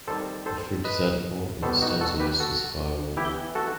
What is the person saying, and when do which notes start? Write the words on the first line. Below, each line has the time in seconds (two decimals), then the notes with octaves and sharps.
The fruit is edible and the stems are used as firewood.
0.07 D#3 G3 C4 A4 C5
0.46 A4 C5
0.84 B4 D#5
1.63 B2 G3 B3 A4 C5
1.82 D#4 F#4
2.01 F#4 A4
2.20 G4 B4
2.40 F#4 A4
3.17 E3 B3 E4 G4
3.55 F#4 A4